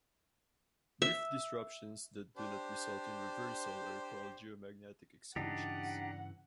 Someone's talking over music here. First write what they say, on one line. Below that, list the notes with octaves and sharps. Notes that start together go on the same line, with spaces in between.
Brief disruptions that do not result in reversal are called geomagnetic excursions.
E5
D4 G4 C5
G2 C#3 E3 D4 D#4 G4 F#5